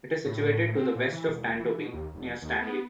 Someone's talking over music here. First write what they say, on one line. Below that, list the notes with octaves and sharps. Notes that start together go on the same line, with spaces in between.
It is situated to the west of Tantobie, near Stanley.
A2
C4
A#2
E3
E1
E3
B2
D#2
F1
D#2
B3